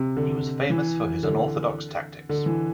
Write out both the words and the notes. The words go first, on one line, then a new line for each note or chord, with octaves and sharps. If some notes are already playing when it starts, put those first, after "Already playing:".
He was famous for his unorthodox tactics.
Already playing: C3
D3
E3
D3
D3
E3